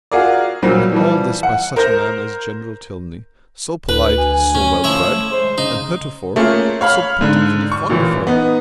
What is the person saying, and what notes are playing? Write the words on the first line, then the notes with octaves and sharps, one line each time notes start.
And all this by such a man as General Tilney, so polite, so well bred, and heretofore so particularly fond of her!
F4 F#4 G#4 A#4 D5
A#2 F#3 G3 C4
E3 F3 G3
F#5
A#4 C5 G6 A#6
D2 B4
G#5
C#4
F3 A3 E4 C#5
G#3 C5
C#3 D#4
A3 A#3 C#4 F4 G#4
C#5 F5 B5 F6
G#2 D3
C#6
A1 A#2 E3
B3 D#4